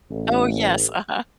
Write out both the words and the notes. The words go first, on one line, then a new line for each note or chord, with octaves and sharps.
Oh, yes, uh-huh.
A1